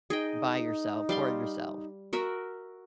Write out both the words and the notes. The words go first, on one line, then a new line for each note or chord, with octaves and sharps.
by yourself for yourself,
D#4 G#4 D#5 G5
G3 F5 C6
F#4 A#4 E5